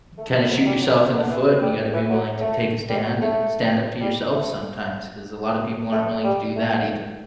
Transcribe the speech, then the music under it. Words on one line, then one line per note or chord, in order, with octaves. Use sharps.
kinda shoot yourself in the foot, and you gotta be willing to take a stand and stand up to yourself sometimes 'cause a lot of people aren't willing to do that either.
A3
E3
F#3
G3
F#3
E3
D3
E3
G3
E3
F#3
A3
G3
F#3
A3
G3
A3
A3
G3
A3